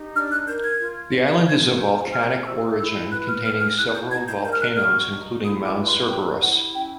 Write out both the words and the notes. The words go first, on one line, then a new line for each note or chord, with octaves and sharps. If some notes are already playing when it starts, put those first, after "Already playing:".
The island is of volcanic origin, containing several volcanoes including Mount Cerberus.
Already playing: D#4 G4
D4 F6
F#6
A#4 G6
G#6
F4
C#5
F4 G#6
C5 G6
G#4 F6
F4 E6
E4 E6
B4 F#6
F6
G#4 F6
F6
E4 F#6
G6
D#4 G#6
G6
A#4 G6
F6
F#6
F#4 F6
D#4
E4 D#6
D6
B4
C6
G4 G5
E4 F#5
C#4 G5